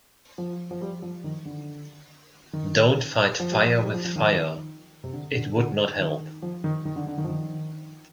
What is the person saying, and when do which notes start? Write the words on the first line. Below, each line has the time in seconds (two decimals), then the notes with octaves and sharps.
Don‘t fight fire with fire, it would not help.
0.38 F3
0.71 F3
0.81 G3
1.02 F3
1.24 D#3
1.45 D3
2.53 D#3
3.40 F3
3.52 G3
3.63 F3
3.83 G3
3.94 F3
4.05 F3
4.16 D#3
5.04 C3
5.13 D3
5.35 D3
5.56 D3
5.99 D#3
6.42 F3
6.64 D#3
6.85 D#3
6.96 D3
7.07 D3
7.18 D#3
7.24 F3
7.28 D#3